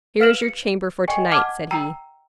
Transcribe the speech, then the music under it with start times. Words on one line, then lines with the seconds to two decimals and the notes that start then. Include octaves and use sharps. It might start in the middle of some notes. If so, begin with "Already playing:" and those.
"Here is your chamber for to-night," said he.
0.20 B4 F5 F6 D7 E7 F#7
0.42 C#7
1.08 D#5 G5 G#5 C#6
1.32 F#5 A5 D6 F6 G#6
1.71 G5 A#5 E6